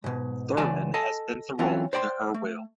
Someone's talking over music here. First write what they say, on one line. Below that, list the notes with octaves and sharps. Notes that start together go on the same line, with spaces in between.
Thurman has bent the role to her will.
G#2 B2
C#2 E3 D5 G#5 A5
A4 D#5 G#5 A5
E3 F#3 C4 C#4 F4
C5 D5 G5 C6
A3